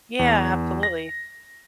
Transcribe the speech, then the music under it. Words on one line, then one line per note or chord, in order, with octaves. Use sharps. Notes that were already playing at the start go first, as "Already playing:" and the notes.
Yeah, absolutely.
E2
A#6